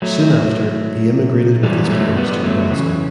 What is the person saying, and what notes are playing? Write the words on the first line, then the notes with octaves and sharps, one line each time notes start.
Soon after he immigrated with his parents to Nebraska.
F#3 A3
E3 G3
B3
F#3 A3
G3 B3
F#3 A3
C#3 E3